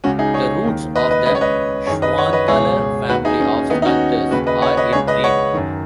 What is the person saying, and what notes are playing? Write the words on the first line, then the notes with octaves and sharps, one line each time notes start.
The roots of the Schwanthaler family of sculptors are in Ried.
C#2 C#3 C#4 F#4
D#4 G#4
G#4 C#5
D#2 D#3
B4 D#5
B4 D#5
C#2 C#3 B4 D#5
C#5
B4 D#5
F#2 D#3 G#4 C#5
B4 D#5
C#5 F#5
B4 D#5
C#2 B2 G#4 C#5
D#2 D#3 F#4 B4
D#4 G#4
C#4
D#2 D#3 B3 D#4
D#4
C#4 F#4
D#2 C#3 F#4 B4
B4 D#5
C#5 F#5
B4 D#5
C#2 C#3 G#4 C#5
B4 D#5
C#5 F#5
F#2 D#3